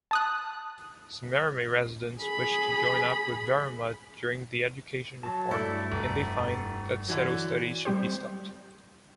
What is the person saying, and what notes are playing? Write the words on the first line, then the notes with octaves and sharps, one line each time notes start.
Some Meremäe residents wish to join up with Võrumaa during the education reform and they find that Seto studies should be stopped.
A5 D#6 F#6
G#4 B5
F#3 A5
G2 A3 E4 A4 D5
F1
D3 E3 F#3
G3 C4 G4 C5